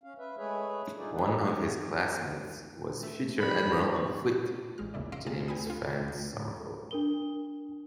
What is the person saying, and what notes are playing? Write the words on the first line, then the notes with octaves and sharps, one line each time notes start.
One of his classmates was future Admiral of the Fleet James Fownes Somerville.
C#4 F5
B4 E5
G#3 A3 G#4 B4 C#5 E5
D#4 F4 G#4 D5
E3 G#3 B3 G#4 B4 D5
D#3 A3 C#4 F#4
A3
B1 F3 G3 B5
A1 G#3 F6
D#2 A#2 C#3 E4 D5
F2 F5 C6 E6 A#6 D7
C3 A#3 G#4 F6 A6
G5 G#5 B5 D#6
F4 A4
D4 A#4 G7